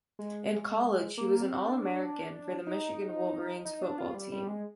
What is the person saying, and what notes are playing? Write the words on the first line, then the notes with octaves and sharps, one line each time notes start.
In college, he was an All-American for the Michigan Wolverines football team.
G#3
A#3
C4
D4
D#4
D#4
D4
F4
G3
G3
G#3